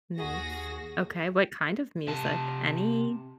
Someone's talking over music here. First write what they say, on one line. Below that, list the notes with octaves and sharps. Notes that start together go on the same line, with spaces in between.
Nice. Okay, what kind of music? Any?
D#2 F#4 G#4 A#6
C3 A5